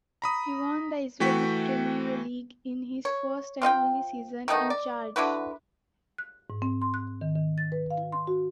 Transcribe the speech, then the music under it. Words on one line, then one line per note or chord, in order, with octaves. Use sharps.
He won the Israeli Premier League in his first and only season in charge.
A#5 B5 D#6
E3 A3 F#4 G5 C#6 B6
C#5
C4 F4 D#5 G5
D#3 A3 B3 D#4
D5
D3 E4 F#4 B4
F#6
G#2
C4
C6
F#6
D#3
D#3
A6
B4
F5
C6
F#4